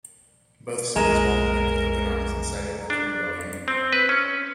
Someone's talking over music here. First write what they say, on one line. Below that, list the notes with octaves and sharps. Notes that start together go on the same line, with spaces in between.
Both cities welcomed him with open arms and sided with the rebellion.
B1 F2 G#3 A#4 G#5 A#5 E7
D4
C4
B4
C#4